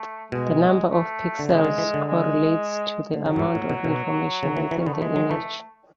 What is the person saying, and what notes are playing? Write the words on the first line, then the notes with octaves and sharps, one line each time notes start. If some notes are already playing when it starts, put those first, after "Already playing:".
The number of pixels correlates to the amount of information within the image.
Already playing: A3
B2 G#3
A3
D3
C#3 G#3
D3
E3
D3
G#3
D3
C#3 F#3
F#2
G#2
A2
B2
B2
C#3
E3
E3
C#4
D3 B3
A3
E3 G#3
F#3
E3 A3